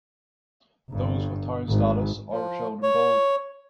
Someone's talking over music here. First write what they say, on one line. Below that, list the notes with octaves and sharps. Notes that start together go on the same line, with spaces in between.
Those with town status are shown in bold.
G1 G2
G#1
F3
C#5